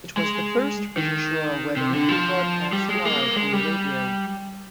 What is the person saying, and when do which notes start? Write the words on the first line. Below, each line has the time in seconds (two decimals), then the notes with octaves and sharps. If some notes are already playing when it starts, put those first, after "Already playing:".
It was the first British royal wedding to be broadcast live on the radio.
0.17 G#3
0.97 D#3
1.77 C3
1.93 D3
2.09 F3
2.73 G3
2.89 G#3
3.05 A#3
3.36 G#3
3.53 G3